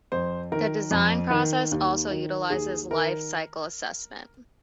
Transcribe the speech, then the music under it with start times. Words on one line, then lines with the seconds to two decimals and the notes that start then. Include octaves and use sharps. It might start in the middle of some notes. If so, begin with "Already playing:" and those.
The design process also utilizes life cycle assessment.
0.12 F2 C5
0.52 D#3 A#4
0.91 F2
1.31 D#3
1.71 D#2
2.11 D#3
2.50 D#2 G#4
2.91 D#3 A#4